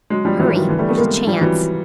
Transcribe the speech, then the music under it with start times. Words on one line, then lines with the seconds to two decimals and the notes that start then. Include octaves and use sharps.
"Hurry! There's a chance!"
0.10 F#3 G#3
0.25 F3 G3
0.39 E3 F#3
0.54 D#3 F3
0.69 D3 E3
0.79 G3 A3
0.89 A3 B3
0.97 G#3 A#3
1.27 F3 G3
1.41 E3 F#3